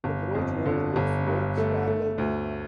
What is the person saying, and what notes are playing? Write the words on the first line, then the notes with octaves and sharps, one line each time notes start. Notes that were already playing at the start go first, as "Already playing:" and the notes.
The broch overlooks Loch Carloway.
G1
F2
D3
G1
G2
A3
A3
D2